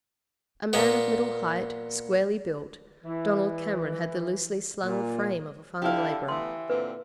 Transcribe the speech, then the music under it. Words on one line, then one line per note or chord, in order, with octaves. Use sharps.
A man of middle height, squarely built, Donald Cameron had the loosely slung frame of a farm labourer.
A#2 B3
E3
A#2
D3 E4 G4 F5
E3 A3 B3 C6
A#2 D3 C4 B4